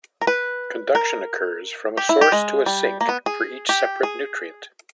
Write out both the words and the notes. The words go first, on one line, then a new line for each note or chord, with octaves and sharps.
Conduction occurs from a source to a sink for each separate nutrient.
A#4
B4
A#4
G4
E4
G4
G#3
G3
A#3
B3
G#4
G4
G#4